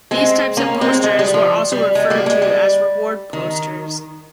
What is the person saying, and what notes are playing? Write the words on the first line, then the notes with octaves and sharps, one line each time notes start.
These types of posters were also referred to as reward posters.
G#3 C4
A#3 C#4
G#3 C4
G#3
G3
F3
G3
G#3
G3 A#3
G#3
G3
D#3